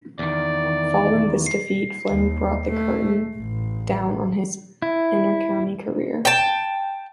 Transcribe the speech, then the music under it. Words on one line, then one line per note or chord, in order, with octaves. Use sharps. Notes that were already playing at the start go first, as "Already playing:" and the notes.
Following this defeat Flynn brought the curtain down on his inter-county career.
E2 D#3 D5
D#2
A3
A1
E4
G5 A5